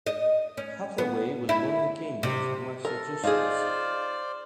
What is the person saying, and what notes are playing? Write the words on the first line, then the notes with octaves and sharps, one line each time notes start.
Hathaway was born in Cambridge, Massachusetts.
D#5
C#4
B3
E4
C3
A4 A#4
D#4 F4 G#4 C5 D5 F5